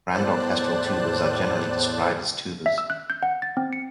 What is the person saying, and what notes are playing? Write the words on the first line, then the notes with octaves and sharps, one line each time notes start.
Grand orchestral tubas are generally described as tubas.
E2 A2 C5 D5 A5 F#6
E5
E6
F#6
G6
F#5
A6
C4
C#7